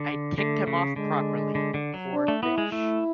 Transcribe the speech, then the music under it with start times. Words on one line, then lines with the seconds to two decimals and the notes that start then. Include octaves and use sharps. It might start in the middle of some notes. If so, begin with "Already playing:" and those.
I ticked him off properly, the poor fish.
Already playing: D3
0.38 D3 A3
0.67 C#3
0.96 D3 G#3
1.55 D3
1.74 D3
1.94 F#3
2.13 D4
2.28 A3
2.43 B3 E4
2.58 G#3
2.71 A3 E4